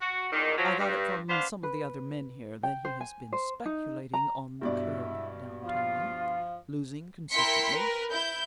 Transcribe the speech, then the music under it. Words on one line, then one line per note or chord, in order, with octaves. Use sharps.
I got it from some of the other men here that he has been speculating on the curb downtown, losing consistently.
F#4
E2 A#2 D#3
F3 F#3
G2
B3 D4 C5 F5
B4
G5
C5
G#5
C5
D#4
A#5
G2 B2 G#3 E4 D5 E5
F3 F4 F5
E4 A#4 G5 C6 B6 C#7
A#4 B4
E4 G6